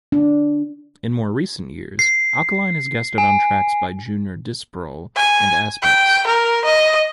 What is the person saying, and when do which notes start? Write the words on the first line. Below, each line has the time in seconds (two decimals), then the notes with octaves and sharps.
In more recent years, Alkaline has guested on tracks by Junior Disprol and Aspects.
0.12 D4
1.99 C7
3.18 G#5
5.16 G#5
5.82 G5
6.27 A#4
6.65 D#5